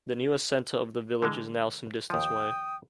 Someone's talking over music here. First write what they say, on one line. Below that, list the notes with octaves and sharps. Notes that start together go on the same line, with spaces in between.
The newer centre of the village is now some distance away.
D3 E3 G#3
D#2 F3 G5 D#6